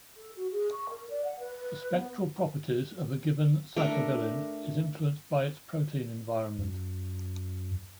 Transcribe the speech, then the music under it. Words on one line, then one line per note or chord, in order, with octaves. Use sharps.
The spectral properties of a given phycobilin is influenced by its protein environment.
A4
F#4
G#4
C#6
A#4
D5
F#5
B4
B3
A3 D4 A#4
F#2